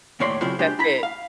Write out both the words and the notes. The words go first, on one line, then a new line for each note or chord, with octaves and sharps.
that's it."
D#2 A2 E4 C#5 D5 C6
C#3 F#3 C4 E4 F4 C5
G#3 D4 G4 C5
E4 A#5 B5
F5